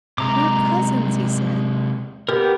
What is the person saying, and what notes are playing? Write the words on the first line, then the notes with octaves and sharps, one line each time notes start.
"We're cousins!" he said.
C3 G#3 A#5 D6
B3 G4 A#4